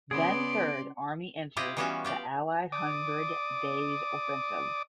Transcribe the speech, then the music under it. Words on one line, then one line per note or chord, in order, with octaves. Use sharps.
Then Third Army entered the Allied Hundred Days Offensive.
C#3 B3 C#4 G#4 D5 C6 D7
E4 F4 G4 D5 D#5
E3 G3 B3 C#4 F4 F#4
F4 G4 D5
D5 D6 D#6